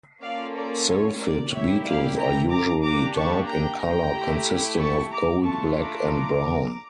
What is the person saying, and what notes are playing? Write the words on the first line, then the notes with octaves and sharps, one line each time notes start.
Silphid beetles are usually dark in color consisting of gold, black and brown.
A#3 C#4 F4 A4 D5 F5
A#4 D5
C#5
A#4 D5
A#3 E4 G4 C#5 E5
D5 F5
G5 A#5
A#5 D6
A#3 D4 G4 A#5 D6
A5 C#6
G5 A#5
G5 A#5
A3 E4 G4
A5 C#6
A#5 D6
A3 D4 F4 A5 C#6
A#5 D6